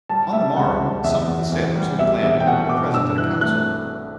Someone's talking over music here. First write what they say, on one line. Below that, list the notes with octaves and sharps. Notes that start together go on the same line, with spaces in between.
On the morrow, some of the sailors who had landed, were present at a council.
G3 A5
G3 E5
C#2 F#5
C#2
E2 E5
E2
E2
G3
E1 E5
E2 E5
G5
B2 F#5
B2 D6
G2 E6
E3 F#6
A3 F#6